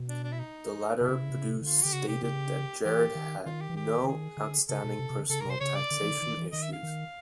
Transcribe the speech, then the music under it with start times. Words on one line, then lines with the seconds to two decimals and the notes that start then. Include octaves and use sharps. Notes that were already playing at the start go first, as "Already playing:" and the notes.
The letter produced stated that Gerard had no outstanding personal taxation issues.
Already playing: B2
0.09 D4
0.24 D4
0.32 E4
0.39 D#4
1.01 C3 E4
1.08 C#3
1.14 C3
1.23 C#3
1.30 C3
1.37 C#3
1.44 C3
1.61 D3 F4
1.83 D3 G4
1.93 C#3 F#4
2.08 C3 G4
2.23 C#3 G4
2.84 E3 G4
3.15 D#3
3.46 D#3 F4
3.61 G4
3.70 E3
3.76 D#3 G4
4.03 D3
4.07 D#3 G#4
4.37 D3
4.68 C#3 A4
4.84 B2
4.99 C3
5.10 C3
5.19 D3
5.30 C#3 A4
5.40 A#4
5.45 C3
5.50 C5
5.61 C#3 C#5
5.76 D5
5.91 D3
6.01 E3
6.11 D3
6.22 D#3
6.37 E3
6.52 D#3 D#5
6.62 E5
6.73 F5
6.83 D#3